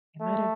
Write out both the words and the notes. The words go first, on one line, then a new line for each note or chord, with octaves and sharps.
it might've
A3